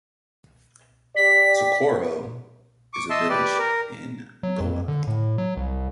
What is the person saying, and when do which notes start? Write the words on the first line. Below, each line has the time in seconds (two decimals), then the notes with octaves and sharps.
Soccoro is a village in Goa.
1.16 G4 D5 B6
2.94 C#6 D6
3.10 D#5 E5 A5 C6
3.29 G4 B4 D5
3.59 A#4
4.43 F#3
4.60 F2
4.88 D3
5.07 A2
5.38 F#3
5.57 C2